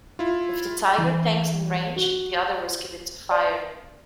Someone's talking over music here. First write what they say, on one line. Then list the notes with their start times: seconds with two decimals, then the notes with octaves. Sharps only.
With the Tiger tanks in range, the order was given to fire.
0.19 E4 F4
0.98 E3
1.96 F#4
3.31 D5